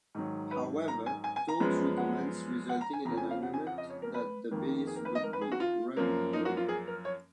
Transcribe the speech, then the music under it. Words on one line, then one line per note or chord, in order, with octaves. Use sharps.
However, talks recommenced resulting in an agreement that the base would be run jointly.
G#2 D#3 F#3
B4
A#5
G#5
G#5
G#5
A#5
F#2 F3 G#3 B3
F#5
F#5
A#5
G#5
F2 C#3 F3 A#5
G#5
F5
F#5
G#5
F#5
D#5
C#5
A#4
B4
F2 D#3 A#3
G#4
A#4
B4
D#5
A#4
B4
G#4
F#4
F4
F#2 F3 A#3
D#4
F#4
F4
G#4
A#4
C#5